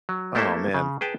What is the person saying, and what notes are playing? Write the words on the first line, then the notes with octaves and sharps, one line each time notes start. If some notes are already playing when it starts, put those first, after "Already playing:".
Aw, man.
F#3
A3 A#3 E4 G4 A4 C5
C#3
G#4 B4 G5 A5